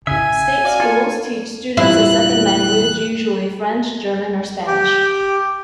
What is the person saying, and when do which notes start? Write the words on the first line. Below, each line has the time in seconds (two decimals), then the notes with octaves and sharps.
State schools teach students a second language, usually French, German or Spanish.
0.07 A1 C#3 E5 G#5
0.64 F#4 D5 F5
0.80 F4 A4
1.77 E2 G2 A#2 E4 F#6
4.67 G4